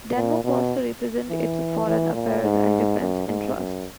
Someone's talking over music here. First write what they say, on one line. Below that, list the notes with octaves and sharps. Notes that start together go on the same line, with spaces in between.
Denmark was to represent its foreign affairs and defense interests.
A#2
B2
E3
E3
A#2
G#2
F#2
G#2
F#2